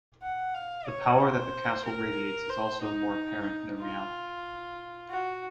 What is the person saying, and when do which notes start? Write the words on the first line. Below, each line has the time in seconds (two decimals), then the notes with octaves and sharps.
The power that the castle radiates is also more apparent than reality.
0.22 F#5
0.55 F5
0.87 C#5
1.20 C5
1.85 A#4
2.50 C5
2.82 D#4
3.79 F4
5.10 F#4